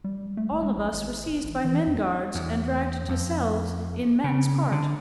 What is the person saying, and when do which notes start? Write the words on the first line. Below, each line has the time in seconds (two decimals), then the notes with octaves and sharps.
All of us were seized by men guards and dragged to cells in men's part.
0.04 G3
0.37 A3
0.51 G#1
0.63 G#3
0.77 A#1
0.93 G#1
1.26 D1
1.44 A1
1.65 E3
1.87 F2
2.35 E2
3.09 F2
4.24 C#3
4.72 D3